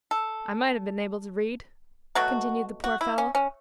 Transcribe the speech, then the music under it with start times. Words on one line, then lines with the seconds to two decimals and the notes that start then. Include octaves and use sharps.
"I might have been able to read," continued the poor fellow.
0.11 A4
2.15 B2 F#3 A3 F#4
2.84 F#4
3.01 E4
3.18 C#4
3.35 C#4